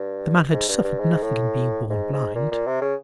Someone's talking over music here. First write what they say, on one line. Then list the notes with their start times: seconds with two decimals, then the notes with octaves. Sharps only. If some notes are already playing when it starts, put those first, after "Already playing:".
The man had suffered nothing in being born blind.
Already playing: G2
0.53 G#2
0.68 G2
0.84 G2
0.99 G#2
1.22 A2
1.90 G#2
2.13 G#2
2.35 A#2
2.51 A#2
2.67 C3
2.81 C#3